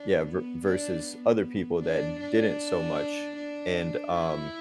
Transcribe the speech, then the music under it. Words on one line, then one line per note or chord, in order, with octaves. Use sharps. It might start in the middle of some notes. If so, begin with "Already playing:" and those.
Yeah, ver versus other people that didn't so much, and um,
Already playing: D4
B3
D4
B3
D4
D4
D4
E4